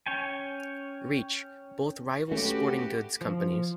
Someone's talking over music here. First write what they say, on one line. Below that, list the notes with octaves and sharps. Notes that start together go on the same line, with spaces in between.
Reach, both rival sporting goods companies.
C#4 C#5 G5 G#5
A3 C#4 F#4 G4 B4
F3